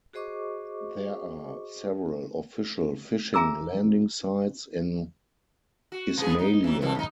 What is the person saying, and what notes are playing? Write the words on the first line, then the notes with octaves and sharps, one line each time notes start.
There are several official fishing landing sites in Ismailia.
F#4 G#4 C5 D#5 C#6 D6
G#4 E5 G#5 A#5 D6 E6
F#4
C3 B3 G#4
D#4
E3 F#3
B2 E3 F3
D#2 D#4